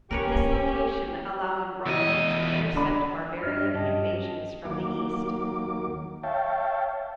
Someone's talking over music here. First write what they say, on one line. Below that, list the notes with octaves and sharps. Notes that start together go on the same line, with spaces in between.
This location allowing Rome to intercept barbarian invasions from the East.
A#3 C#4 G4 A#4 B4 C#5
E2 E4 D#5
D3 D4 B5
G2 D4 D#5 E5 F6
G2 C#4 G4 D#5 A5
D#2 F#3 A#3 D6
C#5 E5 F5 G5 A5